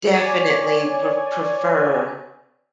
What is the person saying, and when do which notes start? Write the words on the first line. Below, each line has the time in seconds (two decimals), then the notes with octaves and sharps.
Definitely re prefer
0.14 C#5 D5 G#5